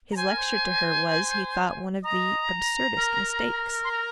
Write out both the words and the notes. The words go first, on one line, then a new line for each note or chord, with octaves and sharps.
His lecture to her was, he thought, one of the absurdest mistakes.
A#5
C5 G#5
A#4
C5
D#5 A#5
A#4
C6
A#5